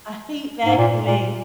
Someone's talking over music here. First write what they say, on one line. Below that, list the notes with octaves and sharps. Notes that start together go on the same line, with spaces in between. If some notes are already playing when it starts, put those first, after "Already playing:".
I hate vacuuming.
G#2
A#2
A#2